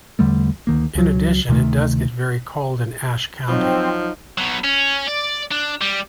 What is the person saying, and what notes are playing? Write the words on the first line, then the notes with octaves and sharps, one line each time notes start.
In addition it does get very cold in Ashe County.
E2 D3 G3 A3
D2 D#3 A#3
C#2 F#3
D2 C3 D#3 A3
F3 F#3 C4 D#4
B2 F#3
C#4
D5
D4
G3